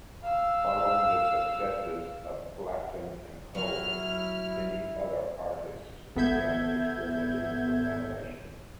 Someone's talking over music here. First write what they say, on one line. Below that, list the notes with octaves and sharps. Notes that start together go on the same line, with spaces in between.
Following the successes of Blackton and Cohl, many other artists began experimenting with animation.
F5 E6
F#3 E4 F6
G#1 B3 A4 E5 G6 G#6